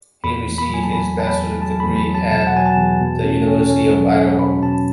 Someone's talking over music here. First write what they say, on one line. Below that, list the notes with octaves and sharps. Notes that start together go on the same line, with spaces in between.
He received his Bachelor's degree at the University of Idaho.
E2 B5
E2
B5
F#3 G#5
A5
E2 B5
E2 A5
B5
E2
F#3 A5
B5
E2
B5
F#3
A5
B2 A5
F#5
F#3 G#5
A5
E2
B2
C#4
C#4
C#4
F#3
C#4
B2 B5
B2 A5